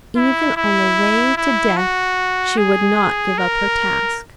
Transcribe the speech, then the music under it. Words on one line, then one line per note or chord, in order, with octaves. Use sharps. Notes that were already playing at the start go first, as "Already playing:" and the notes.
Even on the way to death she would not give up her task.
E4
E4
E4
F#4
G#4
A#4